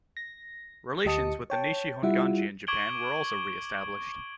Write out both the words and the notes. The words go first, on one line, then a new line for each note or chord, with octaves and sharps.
Relations with the Nishi Honganji in Japan were also reestablished.
A#6
D2 G4 D#5 A5 D#6 C#7
C#5 G5 A5
G3 E4 F4 E5 F#5
C#6 D6 G#6 D7 F#7 G7